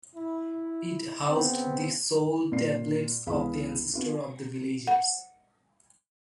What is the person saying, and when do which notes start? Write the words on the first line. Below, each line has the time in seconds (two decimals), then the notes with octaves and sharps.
It housed the soul tablets of the ancestors of the villagers.
0.15 E4
1.29 C#3 B3 C4
2.52 A#2 D5 C7
3.27 C#2 E3 B3 G#4 F5 B5
3.93 B3 F4 F#4
4.87 F#5